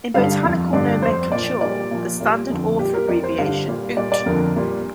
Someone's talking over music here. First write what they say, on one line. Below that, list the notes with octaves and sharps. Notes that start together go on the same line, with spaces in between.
In botanical nomenclature, the standard author abbreviation Houtt.
G2 D3 G3 F5
F2 F3
G2 D3 G3 D5
F2 F3 C5
A#2 F3 D5
A#2 G3 D5
A#2 F3
A#2 G3
F2 D3 F3
A#2 G3 G4
A#4
F2 F3 D5
C5
G2 D3 G3 F5
A#2 G3
A#2 G3 D5
D5
F2 D3 F3 A#4
A#2 G3